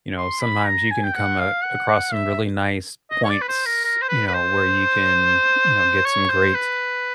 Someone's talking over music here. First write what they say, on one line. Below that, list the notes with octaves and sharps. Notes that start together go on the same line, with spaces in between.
you know, sometimes you can come a across some really nice points, you know, where you can, you know, get some great
C6
B5
A#5
G#5
G5
F#5
F5
F#5
F#5
E5
D#5
C#5
D5
B4
C5
A#4
A#4
C5
B4
B4
C5
C#5
C5
B4